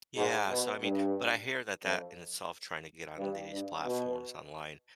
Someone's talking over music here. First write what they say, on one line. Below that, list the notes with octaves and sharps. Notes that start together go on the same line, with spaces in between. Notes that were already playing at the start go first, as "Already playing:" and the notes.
yeah, so, I mean but I hear that that in itself tryna get on these platforms online,
G#2
B2
G2
F2
G2
G2
B2